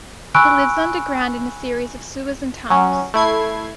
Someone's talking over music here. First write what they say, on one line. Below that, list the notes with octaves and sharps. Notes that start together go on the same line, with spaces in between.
He lives underground in a series of sewers and tunnels.
G#5 B5 C#6 E6 F#6 D7
F#3 C#4
A3 E4 G#6 C7